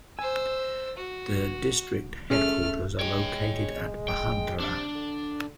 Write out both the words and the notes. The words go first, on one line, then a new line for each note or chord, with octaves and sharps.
The district headquarters are located at Bhandara.
C5 G#5 E6
F#4
A3 C#4 G#4 F6
G#3 C#5 G5
G5
C3 D4
D3